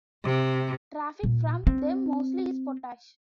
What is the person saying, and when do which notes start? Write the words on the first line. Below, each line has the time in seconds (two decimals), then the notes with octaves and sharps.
Traffic from them mostly is potash.
0.24 C3
1.23 A#2
1.67 C4